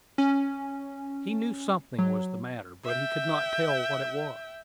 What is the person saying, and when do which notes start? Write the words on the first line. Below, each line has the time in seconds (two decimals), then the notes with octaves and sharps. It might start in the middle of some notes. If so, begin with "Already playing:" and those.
He knew something was the matter, but he could not tell what it was.
0.18 C#4
1.98 F#3
2.84 E5 G5